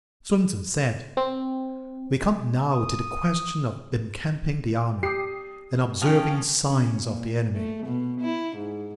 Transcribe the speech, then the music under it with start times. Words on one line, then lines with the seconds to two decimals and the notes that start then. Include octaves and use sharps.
Sun Tzu said: We come now to the question of encamping the army, and observing signs of the enemy.
1.17 C4
2.71 D#6
5.03 G4 D#6 C7
6.02 F3 C#4 G5 F6 F7
6.69 C#4
7.01 A#2
7.55 A3
7.86 B2
8.20 E4
8.56 G#2